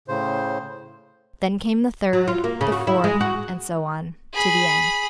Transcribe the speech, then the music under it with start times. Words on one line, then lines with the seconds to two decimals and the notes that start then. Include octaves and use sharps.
Then came the third, the fourth, and so on, to the end.
0.08 A2 C#3 C5
2.13 F#3
2.28 F4
2.44 A#3
2.61 C#3
2.72 F#4
2.87 E4
3.04 G#3
3.21 F#4
4.34 G#4 B5